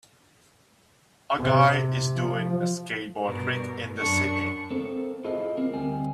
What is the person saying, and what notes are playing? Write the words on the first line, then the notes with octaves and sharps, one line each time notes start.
A guy is doing a skateboard trick in the city.
C3
F3
G2 B2 A#4
F#2 D4 C#6
C4 A4 A#4
E4 F4 G#4 A4 C5 D#5
C4 A#4
D2 G3 C4 G#5